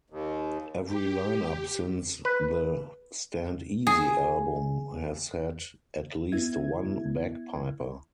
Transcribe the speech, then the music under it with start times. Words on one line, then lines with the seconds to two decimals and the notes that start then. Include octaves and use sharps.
Every line-up since the "Stand Easy" album has had at least one bagpiper.
0.10 D#2
0.87 G4
2.25 B4
3.87 G#4
6.32 B3 E4 E5 G#6